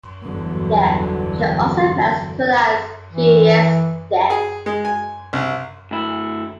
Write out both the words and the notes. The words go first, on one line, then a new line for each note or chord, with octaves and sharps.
There, she also fails to realize he is dead.
G1 E2 D3 F#3 B3
E3
G#4
G#3
G#5
C2
D2 E4